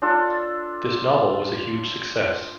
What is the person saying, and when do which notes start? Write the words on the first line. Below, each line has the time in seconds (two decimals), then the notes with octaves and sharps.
This novel was a huge success.
0.02 D4 F4 A4